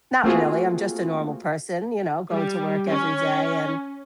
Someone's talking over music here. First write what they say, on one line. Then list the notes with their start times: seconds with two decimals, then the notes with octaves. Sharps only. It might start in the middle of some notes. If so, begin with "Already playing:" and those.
not really, I'm just a normal person, you know, going to work every day, and
0.24 A3 A#3 C4 F4 F#4 G#4
2.30 G3
2.89 C#4